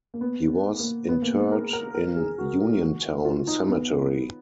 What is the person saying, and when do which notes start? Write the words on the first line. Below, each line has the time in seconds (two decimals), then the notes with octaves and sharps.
He was interred in Uniontown Cemetery.
0.14 A#3
0.21 B3
0.79 A#3
1.09 B3
1.22 A#3
1.37 G#4
1.52 A#4
1.73 A#4
1.94 A#4
2.16 G#4
2.38 F#4
3.25 F4
3.47 D#4
3.68 B3